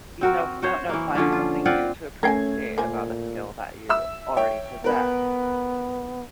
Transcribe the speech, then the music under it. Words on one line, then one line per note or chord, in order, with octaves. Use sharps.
you know, f I don't know, find something new to appreciate about a skill that you already possess;
C4 F#4 A#4
F#4 C5 C#5
E3 A#3
D3 F3 C#4 D4
F4
C4 F4 D5 F#5
A3 C#4 A#4 G5 G#5 G#6 C7
A#2 A#3 C5 G#5
E5 E6
C#5 E5 G5
B3 A#4 B4